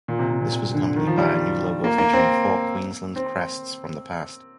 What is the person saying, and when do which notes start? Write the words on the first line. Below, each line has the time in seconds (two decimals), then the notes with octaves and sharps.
This was accompanied by a new logo featuring four Queensland crests from the past.
0.08 A#2
0.19 C3
0.30 C3
0.41 A#2
0.52 C3
0.74 D3
0.96 D#3
1.07 F3
1.18 G3
1.84 A#3
1.98 A#3
2.13 C4
3.16 C4